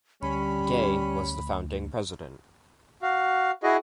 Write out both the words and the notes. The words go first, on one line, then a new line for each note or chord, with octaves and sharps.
Gay was the founding president.
D2 G3 C#4 B5
F#4 F5
E4 F#4 G#4 D#5